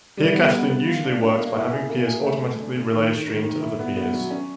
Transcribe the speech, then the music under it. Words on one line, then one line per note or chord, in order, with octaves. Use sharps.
Peercasting usually works by having peers automatically relay a stream to other peers.
G3
B3
B3
B3
F4
D4
D4
A#3
E4
G#4
A#3
G#4
A3
A3
D3
D3
D#3
D#3
D#3
D#3
E4
B3
B3
F#3
C#4